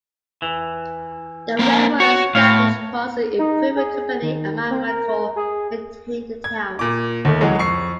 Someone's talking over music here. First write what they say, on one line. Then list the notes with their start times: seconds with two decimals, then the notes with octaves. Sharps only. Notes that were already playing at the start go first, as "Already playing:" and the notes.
The railroad established Parsons Improvement Company and Myracle maintained the town.
0.42 E3
1.59 A#3 C4 A#4
2.00 F#4 C#5
2.35 A2 C#5 F5
3.39 D#4
3.76 G#4
4.22 D#3
4.70 C4
4.88 A#4
5.36 G#4
6.44 G#6
6.79 A#2 D6
7.25 D#2 D#3 A3
7.41 C#2 E3 F#3 G#3
7.58 F2 C#6 C7